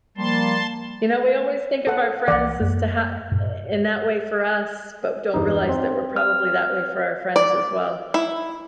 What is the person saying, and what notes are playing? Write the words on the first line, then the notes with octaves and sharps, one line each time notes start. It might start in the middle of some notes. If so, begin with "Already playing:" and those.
You know, we always think of our friends as to ha i in that way for us, but don't realize that we're probably that way for our friends as well.
F3 G3 A#3 A5 C6
A4 F#5
C2 E3 D5 F#5
F#2 A#3
G2 A#2
E2 G2 D#4
C4
F6
D5
E4